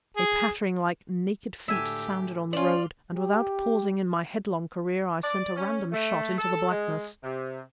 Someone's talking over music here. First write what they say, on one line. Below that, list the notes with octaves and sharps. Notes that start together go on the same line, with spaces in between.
A pattering like naked feet sounded on the road, and, without pausing in my headlong career, I sent a random shot into the blackness.
G#4
A2 D3 G4 E5 G#5
C#4 F4 D5 C6 F6
G4
D5
C#4
A3
A4
G#3
C3